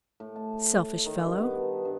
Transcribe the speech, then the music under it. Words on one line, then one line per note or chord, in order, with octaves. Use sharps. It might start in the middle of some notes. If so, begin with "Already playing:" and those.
"Selfish fellow!"
A2
A5
A5
D#3
G2
B3
A5
G2